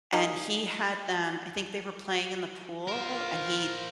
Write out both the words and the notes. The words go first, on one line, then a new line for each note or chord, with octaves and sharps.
and he had them I think they were playing in the pool, and he
G3 A#3 D#4 G#4
F4 A#4 C5 F5